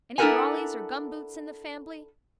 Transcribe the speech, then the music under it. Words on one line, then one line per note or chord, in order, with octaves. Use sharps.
Any brollies or gumboots in the fambly?
D4 E4 A4 A#4 F#5 G#5